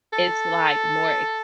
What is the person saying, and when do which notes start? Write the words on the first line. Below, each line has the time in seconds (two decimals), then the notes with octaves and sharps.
it's like more
0.13 A4